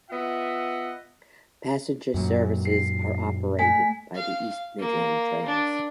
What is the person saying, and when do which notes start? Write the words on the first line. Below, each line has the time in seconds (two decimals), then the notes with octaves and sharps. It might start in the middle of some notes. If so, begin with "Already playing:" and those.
Passenger services are operated by East Midlands Trains.
0.10 B3 F4 D#5 E5 F#5
2.14 F#2 A#2 F#3
2.65 C7
3.59 A3 G#5 B6
4.15 F5
4.79 A#3
5.46 D4